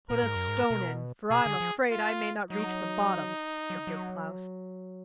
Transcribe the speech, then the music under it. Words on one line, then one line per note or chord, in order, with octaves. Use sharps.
'Put a stone in, for I am afraid I may not reach the bottom,' said Big Klaus.
A#2 A#4
G#2
F#2
G#2
B2
B2 G#4
D3
F3
F4
F#3 D#4
F#3
F#3